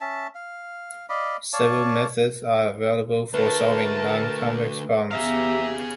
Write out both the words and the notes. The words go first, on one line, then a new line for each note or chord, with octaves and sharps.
Several methods are available for solving nonconvex problems.
C#4 E5 A5
F5
D5 D#5 F5 B5
C#5 D5 F5 A5
D2 A3 A#4 B4 A5
E2 B3 G4 G#4 E5 F5 A#5